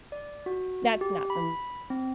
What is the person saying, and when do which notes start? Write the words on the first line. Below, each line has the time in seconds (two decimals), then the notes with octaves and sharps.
that's not for
0.12 D5
0.46 F#4
1.01 G4
1.30 B5
1.90 C4